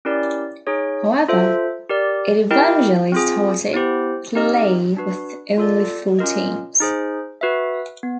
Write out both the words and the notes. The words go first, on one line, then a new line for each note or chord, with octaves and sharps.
However, it eventually started play with only four teams.
C#4 E4 G4 A#4 D5
D#4 G#4 C#5
F4 A4 C5 E5
G4 A#4 D5
E4 G4 A#4 D#5 G5
C4 F4 G#4
B3 E4 G4 C5
C4 D#4 G4 A#4 D#5
D4 F#4 B4
F4 A4 D5
C#4 F4 A#4 D#5
D#4 G#4 C5
F#4 B4 E5
B3